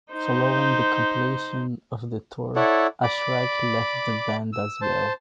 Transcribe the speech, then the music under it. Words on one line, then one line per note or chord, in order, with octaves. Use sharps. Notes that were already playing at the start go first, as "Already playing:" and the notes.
Following the completion of the tour, Ashrak left the band as well.
D#4 C5
E4 A4 C#5 D5 F#5
D5 B5 D6
E6
C5 A5